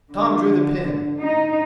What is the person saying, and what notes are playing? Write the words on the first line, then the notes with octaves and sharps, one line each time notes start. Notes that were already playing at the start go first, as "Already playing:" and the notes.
Tom drew the pin.
D3
D#4